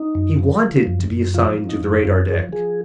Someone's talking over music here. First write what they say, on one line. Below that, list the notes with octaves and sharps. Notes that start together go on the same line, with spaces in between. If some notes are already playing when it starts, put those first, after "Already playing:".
He wanted to be assigned to the radar deck.
Already playing: D#4
F#2
F3
F3
F#2
F#2
F3 F4
F3
D#4
F#2
F#2 F4
F3 G#4
F3 G#4